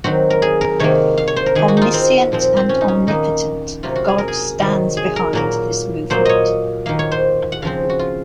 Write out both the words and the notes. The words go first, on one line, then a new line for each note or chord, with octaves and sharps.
Omniscient and omnipotent God stands behind this movement.
D#3 F#3 C4 F#4
A#4
G#4
A#4
C3 D#3 A#3 C#5
F5
C#5
C5
A#4
D#3 A#3 G#4
F#4
D#4 F4
C4
A#2 F3 C4
C4
C#4
D#4
C#4
D#3 A#3 D#4
C3 F#3 A#3 F4
F#4
G#4
A#4
G#4
C3 D#3 F#3
G#4
A#4
A#2 F#3 A#3 A#4
A#2 F#3 A#3 C5
C#5 D#5
D#3 A#3 F5
C#5
C5
F#5
C#3 F3 C4 F5
F#4
F4